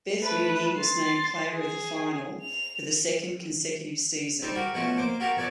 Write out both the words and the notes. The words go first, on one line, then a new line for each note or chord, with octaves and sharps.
Beth Mooney was named Player of the Final for the second consecutive season.
A3 B4
C6 A6
G#4
F7
G3 D#4 A4 C5
F#4 G4 A#4
B2 F3 A3 C#4 F#4
A#3 C5 D6
F#4 G4 A4 A#4 F5 F#5
F2 B2 C#5 D5 A5